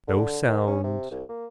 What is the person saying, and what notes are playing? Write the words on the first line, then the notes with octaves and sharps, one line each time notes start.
No sound.
D3
D#3
C#4
C3
C2
A#3